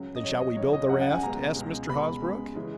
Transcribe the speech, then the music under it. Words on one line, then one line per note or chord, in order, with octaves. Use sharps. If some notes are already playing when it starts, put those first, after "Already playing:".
"Then shall we build the raft?" asked Mr. Hosbrook.
Already playing: C#2 C#3 F#3
D#5
C#2 C#3 F#3 C#5
D#5
C#2 C#3 F#3 C#5
D#5
C#2 C#3 F#3 F#5
F#5
G#5
C#2 B2 G#3 A#5
C#2 B2 G#3
C#2 B2 G#3 B5
C#2 B2 G#3
C#3 E3 G#3